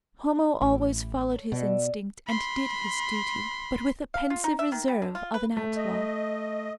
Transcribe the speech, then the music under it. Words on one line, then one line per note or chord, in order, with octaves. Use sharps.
Homo always followed his instinct and did his duty, but with the pensive reserve of an outlaw.
A1 E4 G4
A4 A#4 C#5
B2 D5 E5
B5 C6
F5
F4
D#4
E5
D#3
G3
D3
F4
B4
A3
D#5